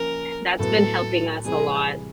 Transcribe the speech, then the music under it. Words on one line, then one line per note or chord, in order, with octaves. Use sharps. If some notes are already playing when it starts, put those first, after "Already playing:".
that's been helping us a lot.
Already playing: F3 A#3 C#4 A#4
A2 F#3 B3 A4
C3 E3 G3 G#4